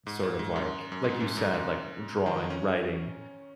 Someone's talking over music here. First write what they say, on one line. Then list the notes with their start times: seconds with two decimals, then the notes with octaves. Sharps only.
sort of like like you said, like w drawing, writing,
0.07 G#2
0.23 G#2
0.39 G#2
0.56 F#2
0.92 F#2
1.04 G#2
1.20 F#2
1.37 F#2
1.54 F#2
2.26 D#3
2.50 C#4